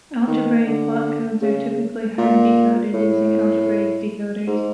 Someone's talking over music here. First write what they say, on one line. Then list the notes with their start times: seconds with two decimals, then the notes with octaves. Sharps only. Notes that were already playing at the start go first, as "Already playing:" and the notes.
Algebraic block codes are typically hard-decoded using algebraic decoders.
0.27 D#3
0.66 D3
1.42 C#3
2.18 A#2
2.94 A2
4.47 G#2